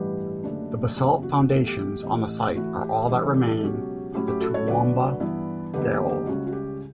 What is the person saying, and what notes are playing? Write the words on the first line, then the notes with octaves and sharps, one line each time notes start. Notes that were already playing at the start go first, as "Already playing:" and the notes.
The basalt foundations on the site, are all that remain of the Toowoomba Gaol.
Already playing: A1 G2 E3 G3 G4 B4
F#1 F#2 D3 A3 D4
F#1 E2 C#3 G4
F#4
E2 B2 F#3 A3 G4
A4
G4
A1 A2 E3
A2 E3 A3 E4 F#4
G4
G2 E3 A3 D4 G4
A4
G4
A4
C#2 B2 F#3 C#4 G4
A2 F#3 A3 C#4 E4 G4
G4
F#4 A4
A4 C#5
D2 D3 F#3 B4 D5
G2 E3 B3 E4
F#1 E2 D3 G4 B4
G4
G4
C#2 C#3 G3 C#4 F#4
F#4
G4